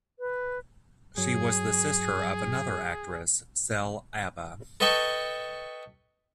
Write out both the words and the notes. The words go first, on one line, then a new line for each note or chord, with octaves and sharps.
She was the sister of another actress, Cele Abba.
B4
G2 F#3 G#4
A4 B4 D#5 G5 A5 C#6